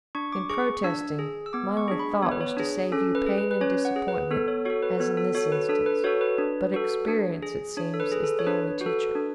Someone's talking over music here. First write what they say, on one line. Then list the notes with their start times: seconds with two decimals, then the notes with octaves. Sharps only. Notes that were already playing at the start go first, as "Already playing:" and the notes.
In protesting, my only thought was to save you pain and disappointment--as in this instance--but experience, it seems, is the only teacher.
0.15 D4 C#6
0.32 D6
0.50 G#4 C#6
0.84 D4 E6
1.19 G#4
1.46 E6
1.53 B3 D6
1.77 C#6
1.88 D4 G#4
1.99 B5
2.22 B3 C#5
2.31 B4
2.41 C#5
2.57 D4 G#4
2.92 C#4 A4
3.15 B4
3.27 G#4
3.38 B4
3.51 B4
3.61 C#4 C#5
3.85 F#5
3.96 G#4
4.08 B4
4.31 B3 A4
4.48 C#5
4.65 F#4 A4 C#5
4.82 B4
5.00 B3 A4
5.17 A4
5.35 F#4 A4 C#5
5.52 B4
5.69 D4 A4
5.86 B4
6.04 F#4 A4 C#5
6.21 B4
6.38 D4
6.74 F#4 A4
7.08 D4
7.43 G#4
7.77 D4 C#5
7.94 A4
8.00 B4
8.12 G#4
8.24 A4
8.39 C#5
8.46 D4 B4
8.81 F#4
8.86 A4
9.15 D4